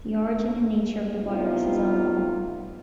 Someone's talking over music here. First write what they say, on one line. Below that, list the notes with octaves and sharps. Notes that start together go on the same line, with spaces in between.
The origin and nature of the virus is unknown.
A2 C3 B3 C4 D#4 F4